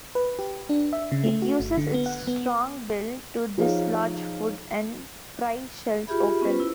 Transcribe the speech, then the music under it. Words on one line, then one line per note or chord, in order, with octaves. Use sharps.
It uses its strong bill to dislodge food and pry shells open.
B4
G4
D4
E5
C#3
A3
F#4
G1
D3
B3
F#5
B3
F3 D#4 G#4 C#5 F5
F4 G4 G#4 E5 B5
B3 C#4 F4 B4 C5
E4